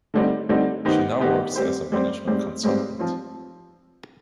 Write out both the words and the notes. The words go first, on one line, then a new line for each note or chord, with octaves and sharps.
She now works as a management consultant.
D3 G3 C4 D#4
D3 G3 C4 D#4
D#3 B3 D#4 G4 C5
D#3 B3 D#4 G4 C5
G3 C4 G4 C5
G3 C4 G4 C5
G#2 G3 C4 G4 C5
G#2 G3 C4 G4 C5
F3 C4 F4